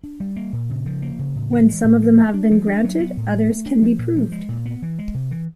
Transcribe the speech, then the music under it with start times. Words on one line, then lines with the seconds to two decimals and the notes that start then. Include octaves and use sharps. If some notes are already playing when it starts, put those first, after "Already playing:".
When some of them have been granted, others can be proved.
0.04 D4
0.20 G3
0.36 A#3
0.53 A#2
0.70 C#3
0.86 F3
1.02 A#3
1.19 C#3
1.35 A2
1.52 E3
1.68 G#3
1.84 A2
2.02 F3
2.18 A3
2.34 D4
2.51 F3
2.67 D4
2.84 F#3
3.00 B3
3.17 A2
3.33 F3
3.50 A3
3.66 D4
3.82 F3
3.99 A#2
4.15 F3
4.32 G#3
4.49 A#2
4.66 B3
4.82 E3
4.99 G#3
5.14 C3
5.31 E3